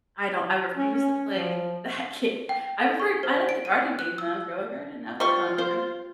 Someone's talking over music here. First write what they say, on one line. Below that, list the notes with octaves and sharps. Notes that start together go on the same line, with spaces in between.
I don't I refuse to play that game. I prefered I like the garden game, though, Grow a Garden. That's a fun one.
C#4
C#4
F3
G5
A4
C#6
C5
D7
D#7
F#6
E6
G3 F4 C5 C#6
C5